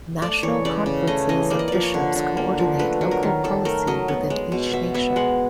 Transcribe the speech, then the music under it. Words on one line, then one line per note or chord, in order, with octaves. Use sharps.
National Conferences of bishops co-ordinate local policy within each nation.
A3 D5
E3 C#5
C#3 D5
C#3
A3 D#5
E3 D#5
A#3 D5
D#5
F3 D5
C#5
D3
D3
A#3
F3
A3 B4
F#3
A#4
D#3
D#3 A4
A3 A#4
F#3 D#5
B3
G#3
B2
B2 E5
B3 E5
G#3 F#5